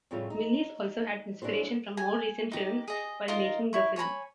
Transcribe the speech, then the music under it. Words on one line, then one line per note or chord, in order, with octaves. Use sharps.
Milius also had inspiration from more recent films while making the film.
F2 A2 C#3 G3 A3 F4
D#4
C#4 D4 E4 F#4 C5
G#5
D#4 G4
G#4 D#5
D#4 F4 A#4 D#5
E4 C#6
C#5 G#5 A#5 B5